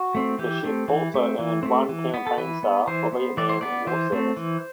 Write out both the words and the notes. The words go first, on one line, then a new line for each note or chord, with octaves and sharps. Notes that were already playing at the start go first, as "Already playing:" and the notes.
The ship also earned one campaign star for Vietnam War service.
Already playing: F#4
A3 C4
E3 G4
A3 C4
E3
A3 C4
E3
A3 C4
E3
B3
A4
E3 B4
B3
E3 C5
B3
E3 D5
C5
B3 D5
E3 C5
A3 C4
E3